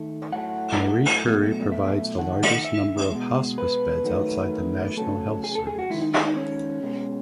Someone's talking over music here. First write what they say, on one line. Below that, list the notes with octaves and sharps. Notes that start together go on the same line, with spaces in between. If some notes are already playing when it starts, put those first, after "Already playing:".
Marie Curie provides the largest number of hospice beds outside the National Health Service.
Already playing: D#3 A3
A2 F#3 A3 F#5
B2 F#3 A3
E5
D#3 A3 F#5
E5
B2 G#3
B4
D#3 F#3 A3
C#3 F#3 A3 A4
G#4
A4
G#4
F#4
D#3 G#3 E4
D#4
D#4
D#4
C#4
B2 G#3